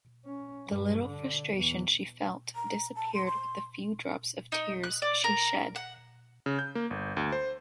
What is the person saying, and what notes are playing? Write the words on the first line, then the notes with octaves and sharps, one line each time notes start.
The little frustration she felt disappeared with the few drops of tears she shed.
C#4
G2
D3
E2
A#5
A5
C6
C6
D#4
F#6
D5
A#4
F#5
C#3
G6
A#3
G1
D2
C5